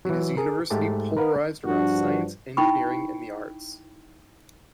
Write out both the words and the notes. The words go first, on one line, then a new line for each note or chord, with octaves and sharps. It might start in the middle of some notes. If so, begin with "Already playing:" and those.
It is a university polarized around science, engineering, and the arts.
E3 F#3
G#4 A#4
G#2 A3 G4 A5
A#4 B4 F5 F#5
G2 F3 D4 F#4
D#4 E4 G5 B5 C#6